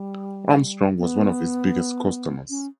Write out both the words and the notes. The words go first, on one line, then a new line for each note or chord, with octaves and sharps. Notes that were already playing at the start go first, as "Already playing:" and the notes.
Armstrong was one of his biggest customers.
Already playing: G3
B3
C#4